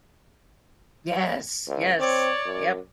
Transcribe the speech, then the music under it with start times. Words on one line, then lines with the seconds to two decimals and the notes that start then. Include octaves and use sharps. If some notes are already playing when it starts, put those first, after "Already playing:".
Yes, yes, yep.
1.68 C#2
1.99 C4 C#5 D5
2.45 F#2